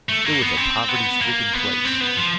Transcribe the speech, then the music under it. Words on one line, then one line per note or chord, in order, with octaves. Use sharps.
It was a poverty stricken place.
A3
A#3
B3
C4
B3
A#3
B3
C4
B3
F3